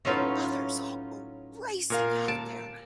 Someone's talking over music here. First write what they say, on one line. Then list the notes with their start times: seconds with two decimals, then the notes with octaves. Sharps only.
The mothers all go racing out there
0.05 A2 F#3 C#4 D#4 F4 B4
1.90 A#2 A#4 F5
2.28 A5 D7